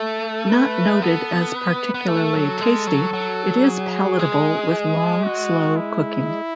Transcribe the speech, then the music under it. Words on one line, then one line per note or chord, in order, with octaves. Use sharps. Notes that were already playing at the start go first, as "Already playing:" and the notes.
Not noted as particularly tasty, it is palatable with long, slow cooking.
Already playing: A3 A4
B4
B3 A4
B4
B3
A3 A4
F#3
G#3
F#3
F#3
G#4
G#3
F#4
E4